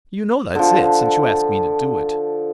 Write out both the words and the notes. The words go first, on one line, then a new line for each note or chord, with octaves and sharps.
You know that's it, since you ask me to do it.
D3 F3